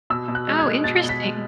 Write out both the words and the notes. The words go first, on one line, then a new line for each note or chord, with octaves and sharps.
Oh, interesting.
B2 E6
B2
F#6
G#3
G#6
G#3
B2 A6
B2
B6
G#3